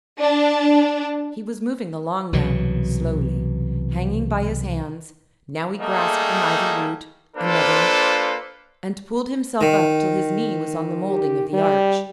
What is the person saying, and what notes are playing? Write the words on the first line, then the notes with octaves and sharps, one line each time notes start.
He was moving along now, slowly--hanging by his hands; now he grasped an ivy root--another--and pulled himself up till his knee was on the moulding of the arch.
D4
C2 B2 E3 F#3
G3 A3 A#3 D#4 G#4 A4
A#3 D4 F4 A4 B4 C5
D#3
G4
G3